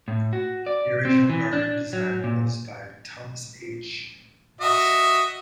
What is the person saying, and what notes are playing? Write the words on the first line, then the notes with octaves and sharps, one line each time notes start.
The original garden design was by Thomas h. Mawson.
A2
F#4
D5
C4
E3
D4
F#3
A#2
F#4 D#5 E5